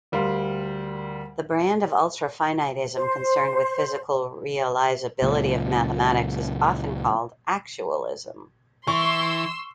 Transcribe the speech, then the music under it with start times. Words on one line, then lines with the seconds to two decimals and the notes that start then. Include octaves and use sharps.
The brand of ultrafinitism concerned with physical realizability of mathematics is often called actualism.
0.12 D2 G3 A#4 F5 C6
2.95 C5
5.22 C#2 A#2
8.87 E3 E4 C6 C#6 E6